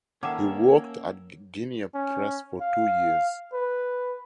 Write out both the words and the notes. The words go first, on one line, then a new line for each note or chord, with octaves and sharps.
He worked at Guinea Press for two years.
D#3 A#3 C#4 A4 E5 F#5 G5 D6
C#4
F5
B4